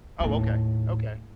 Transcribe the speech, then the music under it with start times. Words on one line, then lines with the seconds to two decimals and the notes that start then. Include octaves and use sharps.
Oh, okay, okay.
0.20 D#2 A2